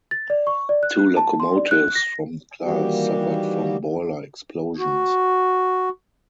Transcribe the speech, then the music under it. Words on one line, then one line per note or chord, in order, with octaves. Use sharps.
Two locomotives from the class suffered from boiler explosions.
A6
D5
C#6
D5
F#6
F#6
A5
C6
D5
F#6
A#6
D#3 E3 G3 A#3 F#4 G4
F#4